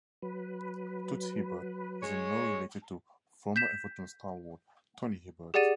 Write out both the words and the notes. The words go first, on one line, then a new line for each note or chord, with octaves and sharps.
Toots Hibbert is in no way related to former Everton stalwart Tony Hibbert.
F#3 B4
G#3 C#5
G6 B6 E7
G4 G#4 D5 F#5 A6 D#7